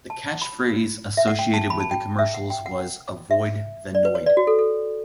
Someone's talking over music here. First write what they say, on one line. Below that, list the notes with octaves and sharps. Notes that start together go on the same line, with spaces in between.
The catchphrase associated with the commercials was Avoid the Noid.
A5
B5
E5
F#5
G5
A5
B5
A5
G5
E5
F#5
G5
F#5
E5
D5
B4
C#5
D5
F#4
A4
A4